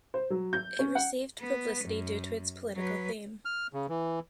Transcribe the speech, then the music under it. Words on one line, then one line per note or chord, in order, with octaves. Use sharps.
It received publicity due to its political theme.
C5
F#3
G6
C#4
F#5
B3
F#2
F#3 B4
F6
C#3
E3